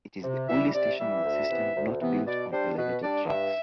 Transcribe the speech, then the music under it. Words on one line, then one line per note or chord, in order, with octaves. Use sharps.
It is the only station on the system not built on elevated tracks.
C3
E3 G3 E5
C3 D5
E3 G3 E5
D2
C3 E3 B3
D2
C3 E3 B3
B2 D5
G3 D4 C5
B2 B4
G3 D4 D5
G2 E5